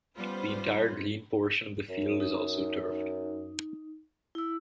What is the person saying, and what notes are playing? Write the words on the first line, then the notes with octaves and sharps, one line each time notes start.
The entire green portion of the field is also turfed.
G3 B3 C#4 F4 B4 C5
F#2
D#4
E4 E6